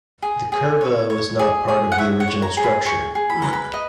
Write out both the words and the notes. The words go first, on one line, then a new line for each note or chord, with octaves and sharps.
The curva was not part of the original structure.
G#4
G#4
C#5
C#5
G#4
G#4
F#5
C#5 E5
F#5
C#5
A#5
G#4
B5
G#4 C#6
G#4
B5
B4 A#5
B5
D#5